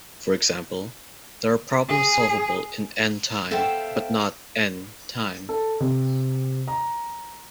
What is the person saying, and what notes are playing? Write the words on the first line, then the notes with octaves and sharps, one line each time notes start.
For example, there are problems solvable in "n" time but not "n" time.
G#4
B3 A4 C5 E5 F5 G5
A4
C3
A#5